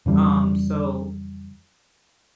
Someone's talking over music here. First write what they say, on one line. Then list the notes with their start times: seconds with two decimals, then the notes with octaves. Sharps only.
um, so
0.06 F2 C#3 E3 G3